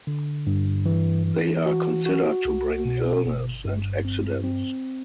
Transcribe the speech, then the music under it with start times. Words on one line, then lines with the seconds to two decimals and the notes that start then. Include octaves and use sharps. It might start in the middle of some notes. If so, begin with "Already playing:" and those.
They are considered to bring illnesses and accidents.
0.07 D3
0.47 G2
0.86 E3
1.26 E3
1.66 F#4
2.06 F#4
2.45 C2
2.85 B2
3.26 G1
3.65 G2
4.05 C4
4.44 C4